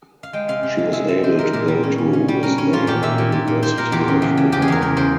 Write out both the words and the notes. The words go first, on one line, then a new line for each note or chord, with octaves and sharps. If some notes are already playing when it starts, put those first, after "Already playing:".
She was able to go to Wesleyan University of Ohio.
F5
G#3 G5
C3 F5
C3
G#3
G#3 E5
G#3 E5
C3 C5
C3 A#4
A#2 A#4
G3
C#4
C#4
C#4
G3
C#4 A#4
C#4
A#2 F4
A#2 G4
A#2 E5
A#2
A#2
A#2
A#2 C5
A#2 A#4
E2 G4
C#3
E2
C#3
E2 G4
G#4
E2 A#4
C#3 A#4
C#3 C5